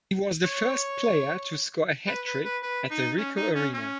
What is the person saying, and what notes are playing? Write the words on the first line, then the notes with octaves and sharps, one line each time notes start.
He was the first player to score a hat-trick at the Ricoh Arena.
C#5
B4
B4
B4
B4
D#4
C#4
D#4
C#4
C#4